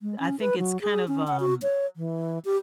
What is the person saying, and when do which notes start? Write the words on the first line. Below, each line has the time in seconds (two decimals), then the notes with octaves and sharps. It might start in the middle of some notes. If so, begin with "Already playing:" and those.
I think it's kind of, um d
0.01 G#3
0.19 C#4
0.40 B4
0.58 F#3
0.81 G#4
1.08 C#4
1.27 F#5
1.40 F#4
1.62 C#5
1.97 E3
2.45 G4